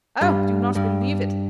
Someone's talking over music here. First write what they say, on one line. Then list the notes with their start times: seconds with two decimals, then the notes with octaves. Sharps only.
Oh! do not believe it!
0.21 G2 G3
0.75 G2 G3